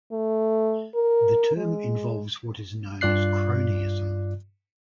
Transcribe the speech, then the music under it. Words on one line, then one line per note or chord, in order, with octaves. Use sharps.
The term involves what is known as cronyism.
A3
A#4
G#3
G2 F4 D5 F#6 C7